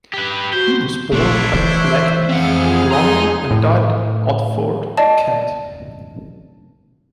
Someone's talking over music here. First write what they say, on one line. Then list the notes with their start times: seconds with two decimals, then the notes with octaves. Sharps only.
He was born at Blackheath, London and died at Otford, Kent.
0.13 G4 B4
0.53 F#4 C5
1.12 A#1 A3 D4 E4 F4 C#5
1.53 E3 C5 E5
2.29 F2 C4 G#4 F5 F#5
2.91 D#5 A#5 C6
3.51 A2
4.97 D5 D#5 A5